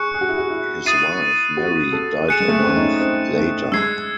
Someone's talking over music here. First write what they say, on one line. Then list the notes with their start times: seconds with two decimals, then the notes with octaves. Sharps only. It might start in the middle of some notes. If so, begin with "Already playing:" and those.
His wife, Mary, died a month later.
Already playing: G#4 C#6 F#6 C#7
0.14 G#4
0.21 F#4
0.29 E4
0.38 F#4
0.50 E4
0.86 E4 D#6 A6 C7 D#7
1.57 F#4
1.93 A4
2.29 G#4 F#6 C#7 E7
2.40 G#3
2.49 A3
2.59 C4
2.67 C#4
2.77 D#4
3.01 C4
3.36 A3
3.72 G#3 E6 G#6 C7